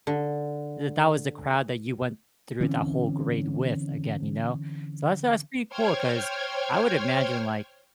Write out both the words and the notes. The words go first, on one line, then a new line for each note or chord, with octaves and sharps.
that that was the crowd that you went through that whole grade with, again, you know? So, that's a that's pretty cool 'cause I would imagine, like,
D3
D3 E3 C4 C#4
C5 C#5 G5 F6 G#6